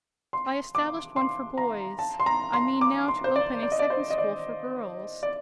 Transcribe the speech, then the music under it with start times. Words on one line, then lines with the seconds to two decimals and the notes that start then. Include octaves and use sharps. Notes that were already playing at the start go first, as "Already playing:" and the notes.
I established one for boys: I mean now to open a second school for girls.
0.33 C6
0.75 D6
1.16 C6
1.58 A#5
1.99 A5
2.20 C6
2.26 A#5
2.53 C6
2.81 D6
3.08 C6
3.24 C5
3.36 D5
3.63 D5
3.72 D#5
3.79 D5
3.90 C5
4.10 D#5
4.18 D5
5.23 D5